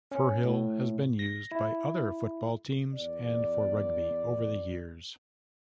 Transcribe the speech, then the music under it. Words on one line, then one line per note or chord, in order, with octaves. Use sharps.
Firhill has been used by other football teams and for rugby over the years.
C#4
A2
A#6
E4
E2 B3 D5